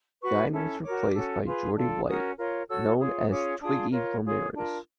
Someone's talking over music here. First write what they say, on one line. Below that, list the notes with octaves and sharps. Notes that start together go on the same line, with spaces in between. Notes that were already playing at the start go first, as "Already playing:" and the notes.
Gein was replaced by Jeordie White, known as Twiggy Ramirez.
F#4 B4 C#6
C#4 E4 A4
F#4 A#4 C#5 D6
C#4 F#4 A4
F4 G#4 B4
D4 F4 A4
C#4 F#4 A#4 C#5 D#6
F4 A#4 C#5
F#4 A4 C#5 E6
F4 G#4 C#5
C#4 F4 G#4 C#5 D6
D4 F4 G#4 D#6
F4 A#4 C#5
F4 G#4 C#5
D4 F4 A#4